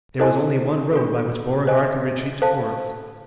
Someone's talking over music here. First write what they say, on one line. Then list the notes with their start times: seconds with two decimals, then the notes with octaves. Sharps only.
There was only one road by which Beauregard could retreat to Corinth.
0.19 E4 A4 C5 D#5 G#5
0.93 D4 F4 A4
1.67 C5 D#5 G#5
2.42 A4 C5 F5 A5